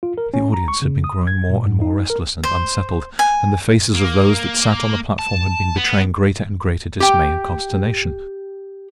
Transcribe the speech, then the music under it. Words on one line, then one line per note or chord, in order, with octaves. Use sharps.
The audience had been growing more and more restless and unsettled, and the faces of those that sat on the platform had been betraying greater and greater dismay and consternation.
F4
A#4
C#4
A#5
C#6
C#3
D#6
G#6
A#2
G#2
D#4
A#4
C5
G#5
A#3
A5
B3
G4 G5